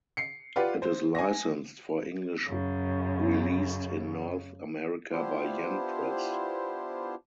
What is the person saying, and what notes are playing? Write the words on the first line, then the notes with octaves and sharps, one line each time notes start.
It is licensed for English released in North America by Yen Press.
C7 C#7
F4 G4 B4 D5 F#5
C5
G#5 A#6
F#2 C#3
B3 D4 E4 F4 G4 C5